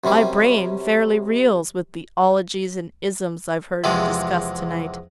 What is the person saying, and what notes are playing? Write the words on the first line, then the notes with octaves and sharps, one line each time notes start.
My brain fairly reels with the 'ologies and 'isms I've heard discussed tonight.
F#2 C3 G3 C#4
E2 C3 F3 G#3